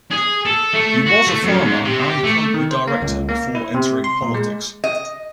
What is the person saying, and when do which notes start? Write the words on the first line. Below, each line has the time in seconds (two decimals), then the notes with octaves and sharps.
He was a farmer and company director before entering politics.
0.11 G#4
0.46 A4
0.73 A3
1.06 F#4
1.27 A3
1.44 F#2
1.60 G#2
1.84 C3
2.09 G4
2.24 A3
2.54 D#3
2.71 C5
2.87 A#3
3.02 C#2
3.29 A#3
3.55 E4
3.74 C3
4.04 C6
4.22 A#2
4.34 G#3
4.84 D#5